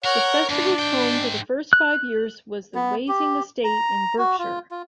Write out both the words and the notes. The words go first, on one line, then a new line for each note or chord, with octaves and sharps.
The festival's home for the first five years was the Wasing Estate, in Berkshire.
A#4 C#5 F#5
E2 A2 D4
G#2 G5
F#6
B3
G4
A#5
F#4
F4
F4